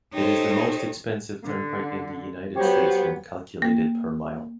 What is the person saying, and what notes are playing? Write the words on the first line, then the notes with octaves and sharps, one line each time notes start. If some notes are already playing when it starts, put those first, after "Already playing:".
It is the most expensive turnpike in the United States when calculated per mile.
D#4 G4 A4 C5 C#5
D3
F#3 B3 G4 C5 C#5
A#3